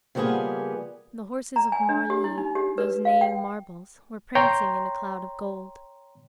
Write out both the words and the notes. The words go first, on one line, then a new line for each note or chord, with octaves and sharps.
The horses of Marly, those neighing marbles, were prancing in a cloud of gold.
C#3 F3 G3 A#3 B3 G#4
A#5
G#5
D4
G4
E4
D#4
G4
B4
F5
G5
C#5 G5 A#5 C6